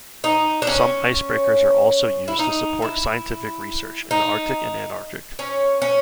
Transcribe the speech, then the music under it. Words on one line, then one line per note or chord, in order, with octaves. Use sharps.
Some icebreakers are also used to support scientific research in the Arctic and Antarctic.
D#4
D4
C#4
E4
D#4
E4
D#4
C#4
C#4